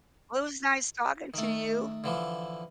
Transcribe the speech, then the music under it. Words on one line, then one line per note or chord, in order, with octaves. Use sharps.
Well, it was nice talking to you.
D#3 A3
D3 E3 F3